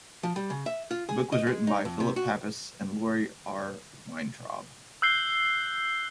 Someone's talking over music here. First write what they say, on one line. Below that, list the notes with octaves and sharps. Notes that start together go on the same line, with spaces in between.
The book was written by Phillip Papas and Lori R. Weintrob.
F3
G3
C#3
E5
F4
G#4
D#5
G#3
D#4
F2
C3
F#4
E6 F#6 G6 C7 G7